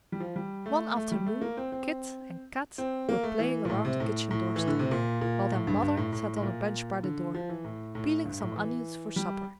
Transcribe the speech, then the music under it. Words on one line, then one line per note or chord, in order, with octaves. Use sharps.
One afternoon Kit and Kat were playing around the kitchen doorstep, while their Mother sat on a bench by the door, peeling some onions for supper.
G3
F3
G3
A3
A3
G3
A3
A#3
C4
C4
C4
A#3
A3
E3
A#2
A2
C3
A2
A2
E3
D3
C3
A#2
A#2
A2
G2
G2
A2
A2
A2
A#2
D3
F3
E3
A2
A2
G2
A2
E3
G3